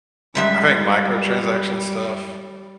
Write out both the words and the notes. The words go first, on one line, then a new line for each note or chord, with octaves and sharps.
I think microtransaction stuff
F#2 G3 G#3 E5